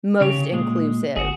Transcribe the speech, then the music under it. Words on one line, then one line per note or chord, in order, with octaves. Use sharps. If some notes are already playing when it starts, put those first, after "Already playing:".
most inclusive,
C#3 G4 C#5
A#2 G#3
G1 F#4 G#4